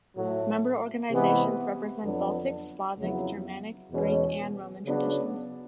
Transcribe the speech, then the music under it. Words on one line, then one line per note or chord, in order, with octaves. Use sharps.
Member organizations represent Baltic, Slavic, Germanic, Greek and Roman traditions.
A2 F#3 A3
C3 E3 G#3 B3
F2 D3 F#3 B3 D4
F2 C#3 F#3 B3 E4
E2 B2 G#3 C#4
C#3 F#3 B3 D4